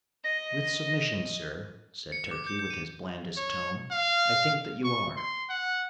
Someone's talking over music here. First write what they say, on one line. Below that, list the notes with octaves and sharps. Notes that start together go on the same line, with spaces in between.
"With submission, sir," said Turkey, with his blandest tone, "I think that you are."
D#5 A#6
C#7
D6
G6
G6
D#7
C#5
F5
C#6
C6
F#5